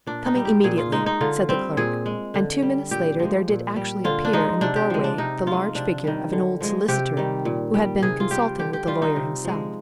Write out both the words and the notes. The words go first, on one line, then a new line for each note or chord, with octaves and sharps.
"Coming immediately," said the clerk; and two minutes later there did actually appear in the doorway the large figure of an old solicitor who had been consulting with the lawyer himself.
A#2 D4
D#4
G3
G4
A#2 G#4
F4
G#3 D#4
D#4
D3 F4
G3 C4
A#2 G#4
G#3
D3
G3
A#2 G4
F3 G#3
A#2
G3
D3 F4
D4
F3 G#3 D#4
C3 D4
G4
F3 G#3
D4
C3 D#4
F3 G#3 F4
C3 D4
D#3 G3
D3
F3 G#3
C3 G4
D#3 G3
A#2
G3
C3 G#4
F4
G3 G4
D3 G4
G4
G3 F4
D#4
C3
F3 G#3